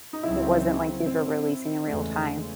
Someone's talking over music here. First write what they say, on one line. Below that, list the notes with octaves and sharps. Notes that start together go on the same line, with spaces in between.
it wasn't like these were releasing in real time.
D#4
C#2 C#3 F#3 C4 E4
C4
E2 C#3 G#3 A3